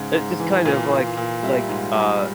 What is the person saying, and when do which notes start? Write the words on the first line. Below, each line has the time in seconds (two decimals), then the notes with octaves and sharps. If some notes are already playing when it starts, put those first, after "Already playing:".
It just kind of, like like, uh
Already playing: G#2 C#3
0.14 G#2
0.40 E3
0.65 A#2 F5
0.91 A#2
1.17 A#2
1.43 G3 E5
1.69 G#2
1.94 G3